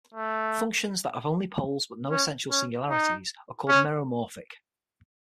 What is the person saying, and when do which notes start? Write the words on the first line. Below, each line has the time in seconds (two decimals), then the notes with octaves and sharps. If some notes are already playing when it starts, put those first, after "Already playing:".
Functions that have only poles but no essential singularities are called meromorphic.
0.14 A3
2.11 C#4
2.51 C#4
2.90 D#4
3.68 C#4